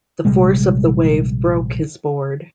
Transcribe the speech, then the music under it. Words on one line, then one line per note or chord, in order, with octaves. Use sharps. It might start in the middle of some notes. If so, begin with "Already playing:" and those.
The force of the wave broke his board.
A#1 C3 G3 G#3